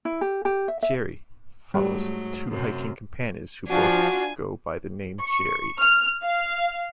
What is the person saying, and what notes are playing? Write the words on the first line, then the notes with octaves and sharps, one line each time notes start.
"Gerry" follows two hiking companions who both go by the name "Gerry".
E4
G4
G4
E5
E5
G#2 F#3 G3 A3
F#2 C3
F3 D4 F4 F#4 G#5
C#6
F6
F5